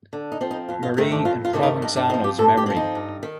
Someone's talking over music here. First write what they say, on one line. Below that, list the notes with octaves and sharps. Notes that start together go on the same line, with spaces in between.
Marie in Provenzano's memory.
D3
D#4
F3 C4
D#4
F2 F4
F4
C3 D#3 A3 C4 D#4
D4
F2 F4
F4
C3 D#3 A3 C4
D#4
G2 D#4
D4
F3 C4 D#4
G4
G2 A4
G4
F3 C4
D#4
G2
D#3